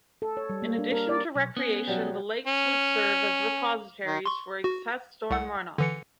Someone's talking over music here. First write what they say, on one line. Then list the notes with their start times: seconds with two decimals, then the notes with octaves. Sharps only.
In addition to recreation, the lakes would serve as repositories for excess storm runoff.
0.22 A4
0.37 C#5
0.50 G3
0.62 A#3
0.78 D4
0.92 A#4
1.09 D5
1.35 B1
1.57 B3 C#4
1.87 B2 F#3 G3
2.47 C#4
4.05 D#3
4.26 C6 C#6
4.64 F#4
5.30 C2 F#5
5.78 D3 E3 C#7